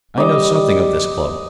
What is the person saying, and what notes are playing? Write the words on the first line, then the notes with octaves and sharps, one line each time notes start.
I know something of this club.
G3 D#5 D6